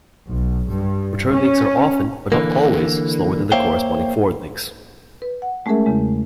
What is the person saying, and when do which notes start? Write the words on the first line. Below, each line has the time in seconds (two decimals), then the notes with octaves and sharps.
Return links are often, but not always, slower than the corresponding forward links.
0.28 B1
0.71 G2
1.32 C#4
2.32 D3 E3 A#3
3.52 A#3 C5 C#5 E5 F5 G5
5.22 B4
5.42 F#5
5.66 G#3 A3 C#4 G#4 A#4 E5
5.86 E2 C#3 G#3